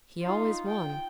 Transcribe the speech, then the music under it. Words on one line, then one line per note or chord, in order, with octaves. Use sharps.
"He always won."
D#4 F4
G5